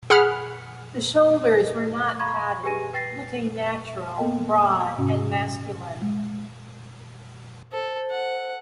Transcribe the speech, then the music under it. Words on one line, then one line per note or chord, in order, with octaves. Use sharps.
The shoulders were not padded, looking natural, broad and masculine.
G#4 F#5 B5 F6
F5 A#5 B5 C#6 G#6
G4 G#4 B4 G#5 A#6 D#7
B4 G5 A6 A#6 C7
A#3 B3 A4 A#4 D#5 G5
G#2 C3 C#4 F#4
G#3
A4 C5
F#5